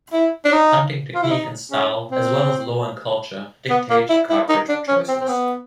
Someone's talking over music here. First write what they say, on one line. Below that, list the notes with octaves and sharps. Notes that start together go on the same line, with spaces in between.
Hunting technique and style, as well as law and culture, dictate cartridge choices.
E4
D4
D#4
F4
E4
D#4
C#4
C4
B3
A#3
E4
E4
D#4
D4
C#4
C4
C4
B3